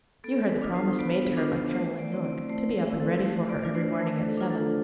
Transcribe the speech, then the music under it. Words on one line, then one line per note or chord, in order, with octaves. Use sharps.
You heard the promise made to her by Caroline Yorke, to be up and ready for her every morning at seven.
B3 A4
B4
D4 F4
C5
B3 B4
D4 F4 C5
A3 C5
D5
C4 E4
D5
A3 C5
B4
C4 E4
A4
A3 C5
D5
D4 F4
C5
A3 B4
A4
D4 F4
A4